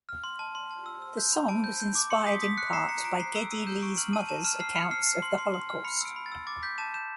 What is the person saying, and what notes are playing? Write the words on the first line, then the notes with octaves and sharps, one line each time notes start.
The song was inspired in part by Geddy Lee's mother's accounts of the Holocaust.
F6
C6
A5
C6
A5
E6
E6
G6
B5
A5 D7
G6
G6
D6
C6 C#7
D#6 B6
D#6 B6
F#6 C#7
A#5 C7
A#5 C#7
A#5 D7
A#5 C7
E6 D7
E6 D#7
G6 E7
C#6 D7
F6 F#7
A5 D#7
A5 E7
F6 E7
F6 C7
F6 C#7
F6 C7
F6 C7
C6
C6
C6
F6
B5 C#7
E6 D7
B5
A6
E6
D6 A6
G6 B6
A5 E7
G6 E7